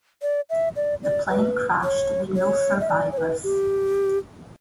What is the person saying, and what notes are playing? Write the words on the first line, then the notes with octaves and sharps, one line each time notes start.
The plane crashed with no survivors.
D5
E5
D5
D5
B4
C#5
C#5
E5
D5
C#5
B4
G4